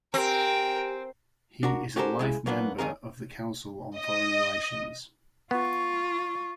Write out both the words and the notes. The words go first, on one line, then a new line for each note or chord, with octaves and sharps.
He is a life member of the Council on Foreign Relations.
C4 G4 A#4 G5 G#5
D4 F#4 A#4
C#4 F#4 G4 A4 A#4 C5
C#3 G#3 E4
F#3 A#3 B3 D4
F2 D#3 D#4 G#4 A#4
D#5
B3 F4 C#6